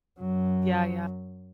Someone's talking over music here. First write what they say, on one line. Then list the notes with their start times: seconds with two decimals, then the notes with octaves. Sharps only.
Yeah, yeah.
0.19 F#2 F#3